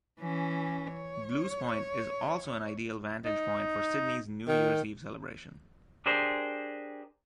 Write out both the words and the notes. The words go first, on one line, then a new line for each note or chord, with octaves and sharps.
Blues Point is also an ideal vantage point for Sydney's New Years Eve celebration.
E3 C#4
C#5
D#4
D#3
D4 G4 G#4 A#4 C5